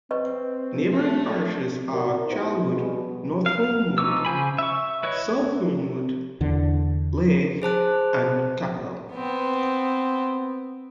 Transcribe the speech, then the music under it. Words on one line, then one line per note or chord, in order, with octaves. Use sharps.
Neighbouring parishes are Charlwood, North Holmwood, South Holmwood, Leigh and Capel.
C4 B4 D#5 C#6
A3
D#2 A2 F#4 G4 A#4 D5
B3 D#4 E4 G4 C5
B2 G3 G#4
F5
F5
F3 D#4 C#6 D6 E6
C#3 C5 G#5 B5
E5 C#6
E4 B4 C#5 D#5
E2 D3
G#4 C5 A5 F#6
B3 C4